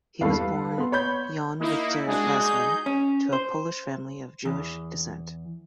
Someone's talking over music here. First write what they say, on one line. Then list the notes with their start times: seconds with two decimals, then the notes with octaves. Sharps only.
He was born Jan Wiktor Lesman to a Polish family of Jewish descent.
0.21 E2 G2 A4 B4 F5
0.36 G3
0.78 B3 C6
0.92 C#5 B5 G6
1.60 A#3 D#4 E4 D#5
2.08 G#3 D4 F#4 G#4
2.40 D#4 G6
2.86 C#4
3.33 C5
4.45 E2